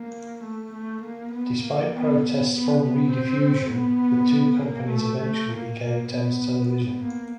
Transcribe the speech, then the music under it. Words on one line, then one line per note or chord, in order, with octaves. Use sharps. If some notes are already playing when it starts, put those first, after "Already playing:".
Despite protests from Rediffusion, the two companies eventually became Thames Television.
Already playing: A#3
A3
A3
A#3
B3
A#3
B3
B3
B3
B3
C4
B3
A#3
A3
A3
A#3
A#3
B3
A#3